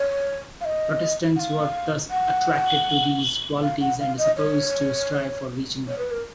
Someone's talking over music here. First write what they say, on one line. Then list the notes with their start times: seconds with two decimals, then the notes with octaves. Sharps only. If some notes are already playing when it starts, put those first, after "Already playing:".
Protestants were thus attracted to these qualities and supposed to strive for reaching them.
Already playing: C#5
0.61 F5
0.65 D#5
1.36 F#5
1.40 F5
2.11 F#5
3.62 F5
3.81 F#5
4.00 F5
4.18 D#5
4.37 C#5
5.88 C#5
5.99 B4
6.11 A#4